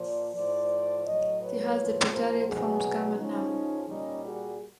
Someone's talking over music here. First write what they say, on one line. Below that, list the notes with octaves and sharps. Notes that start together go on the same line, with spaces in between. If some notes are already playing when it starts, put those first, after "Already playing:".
It has the preterite forms "kam" and "nam".
Already playing: A#2 F3 C5 D5
A2 F3 C5 D5
A2 F#3 C#5 D#5
B4 C#5
A2 F3
A#4 C5
B2 F#3 F#4 G#4
C#3 F3 C#4 D#4
A#2 G3 C#4 D#4
F#4 G#4